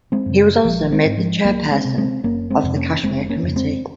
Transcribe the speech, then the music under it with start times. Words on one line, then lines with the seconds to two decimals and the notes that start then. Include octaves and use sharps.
He was also made the chairperson of the Kashmir Committee.
0.12 G#3 C4
0.26 F#2 C#3
0.65 A#1 F3 G#3
0.92 G#3 C4
1.05 G#2
1.18 F3 G#3
1.44 C#2 F#3 A#3
1.71 G#3 C4
1.85 C3
1.97 G#3 C4
2.24 F#1 A#3 C#4
2.50 G#3 C4
2.63 F2 C3
2.76 A#3 C#4
3.03 F1 G#3 C4
3.30 A#3 C#4
3.43 F2 C#3
3.56 G#3 C4